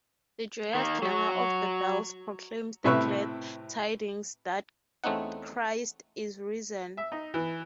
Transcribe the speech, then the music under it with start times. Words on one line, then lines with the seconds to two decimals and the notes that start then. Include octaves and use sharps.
The joyous clangor of the bells proclaims the glad tidings that Christ is risen.
0.75 D#3 A#3
1.02 F#3 F#4
2.85 A2 C3 B4 E5 C#6 F#6
5.04 E2 A3 C4 C#4 D#4 F#5
6.97 E5
7.12 D#4
7.34 E3